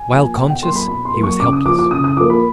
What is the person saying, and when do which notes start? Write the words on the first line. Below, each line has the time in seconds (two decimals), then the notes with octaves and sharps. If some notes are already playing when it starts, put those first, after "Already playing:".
While conscious, he was helpless.
Already playing: G#5
0.11 F3 A#3
0.37 B2 G5
0.50 G5
0.62 F#3 A#3 C6
0.76 B5
0.88 B2 B5
1.05 C6
1.14 F#3 A#3
1.23 C#6
1.40 C#3 D6
1.53 D#6
1.66 F3 A#3 D6
1.79 D6
1.91 C#3 D#6
2.04 D#6
2.17 F3 A#3 D6
2.30 B5